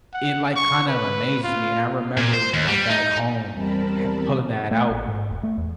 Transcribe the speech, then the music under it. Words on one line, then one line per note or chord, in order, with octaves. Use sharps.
it, like, kind of amazes me, and I remember, you know, back home ha pulling that out,
F#5
C#6
B4
F4
A#2
C5
D#2
G3
D#4
E2 G3 C4 A#4 A5 B5
A3
A1
G#2
E1
A3
E2